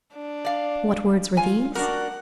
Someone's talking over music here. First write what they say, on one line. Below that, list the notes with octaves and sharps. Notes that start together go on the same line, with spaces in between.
What words were these?
D4
D5 F5
F4 G#5
D4 F#4 A#4 F#5